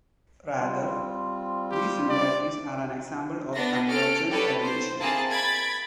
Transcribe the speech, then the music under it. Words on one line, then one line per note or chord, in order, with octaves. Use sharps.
Rather, these similarities are an example of convergent evolution.
G3 C4 F4
G4
D5
B3 D4 A#6
C#4 A4 F6 D7
F#4 G4 A4 B4 C#5 D5
C5
A#3 C4 E4 G#4 A5
B5 G#6 A6 D7